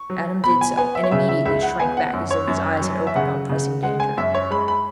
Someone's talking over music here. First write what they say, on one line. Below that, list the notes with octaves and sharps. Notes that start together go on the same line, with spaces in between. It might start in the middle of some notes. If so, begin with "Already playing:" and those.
Adam did so, and immediately shrank back as though his eyes had opened on pressing danger.
Already playing: C#6
F#3
B2 B5
G#5
B3 G#5
E5
C#5
C#3 E5
E5
C#2 E5
F#5
B3 G#5
F#5
F#2
C#5
F#2
F#3
E5
C#3 F#5
C#3
G#3 F#5
G#5
F#2 E5
C#5
G#3 B5
B5